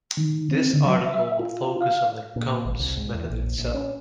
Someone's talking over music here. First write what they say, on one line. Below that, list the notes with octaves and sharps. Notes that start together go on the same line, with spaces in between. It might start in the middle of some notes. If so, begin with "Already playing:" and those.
This article will focus on the Combs method itself.
D#3
C4
D3
F#3
E5
F4
F5
A#2
G#1
C2
G#2
E2
A#1
A#1
C#4